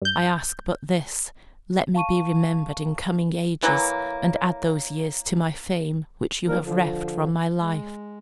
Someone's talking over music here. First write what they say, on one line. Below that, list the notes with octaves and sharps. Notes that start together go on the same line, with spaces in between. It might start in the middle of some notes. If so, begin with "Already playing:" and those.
I ask but this: let me be remembered in coming ages, and add those years to my fame which you have reft from my life.
G2 G6
F5 A5 C#6 D#7
E3 F#3 A#3
F3 G3 A#3 D#4 A#4
D3 F3
G#3